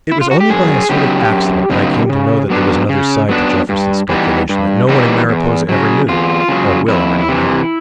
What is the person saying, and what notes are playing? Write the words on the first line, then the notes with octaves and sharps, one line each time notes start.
It was only by a sort of accident that I came to know that there was another side to Jefferson's speculation that no one in Mariposa ever knew, or will ever know now.
E4
F4
F#4
G4
F#2 G#4
C#3 F#3 B3 D#4 G4
F#2
C#3 F#3 B3 D#4
C#3
F#3 B3 D4
C#3
F#3 B3 D4
G2
E3 G3 B3 D#4
G2
E3 G3 B3 D#4
E2
C#3 F#3
E2 F4
C#3 F#3
F2 E4
C3 E3